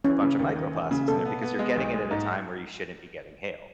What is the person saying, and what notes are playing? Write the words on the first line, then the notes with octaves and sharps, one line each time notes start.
a bunch of microplastics in there because you're getting it at a time where you shouldn't be getting hail.
E3 C#4
C#3
D#2
D#2
E1
C#3
B2 A4
B3
B3
G#3
B1
G#3
G#2